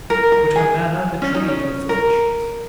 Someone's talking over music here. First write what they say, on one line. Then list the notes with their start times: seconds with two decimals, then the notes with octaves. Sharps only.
But her manner betrayed her suspicions.
0.10 A#4
0.32 A#4
0.56 G#4
1.22 C#4
1.35 D#4
1.48 C#4
1.89 A#4